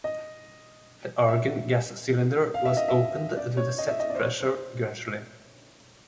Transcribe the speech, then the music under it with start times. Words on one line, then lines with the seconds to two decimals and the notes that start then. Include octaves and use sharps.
The argon gas cylinder was opened to the set pressure gradually.
0.04 D#5
1.29 E5
2.54 F5
2.65 E5
2.77 D#5
2.88 E5
3.37 D5
3.57 C#5
3.78 D#5
3.89 E5
4.00 D#5
4.10 D5
4.15 C5
4.20 C#5
4.40 C5